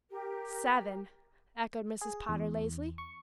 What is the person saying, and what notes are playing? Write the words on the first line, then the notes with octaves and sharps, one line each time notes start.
"Seven!" echoed Mrs. Potter, lazily.
G4 A#4
G#4
E2
C#6